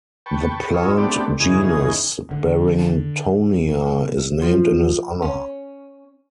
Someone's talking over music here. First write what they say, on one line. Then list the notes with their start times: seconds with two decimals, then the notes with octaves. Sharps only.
The plant genus "Barringtonia" is named in his honour.
0.26 B4 G5 A5 C#6
0.74 F4 C#5 D#5 E6
0.98 A3 B3 C4 D4 G4 D5
1.40 E2 C#3 D#4 G#4
2.31 D3
4.42 F3
5.22 C#4